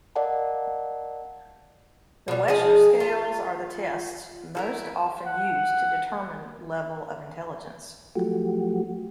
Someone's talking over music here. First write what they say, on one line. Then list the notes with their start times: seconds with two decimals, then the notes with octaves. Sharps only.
The Wechsler Scales are the tests most often used to determine level of intelligence.
0.15 A#4 D5 D#5 F5 F#5 A5
2.28 B2 G3
2.48 F3 G#3 G#4 D#5
3.00 F4
4.55 E4 A4 A#4
5.26 F#5
8.15 F3 F#3 A3 F#4 G4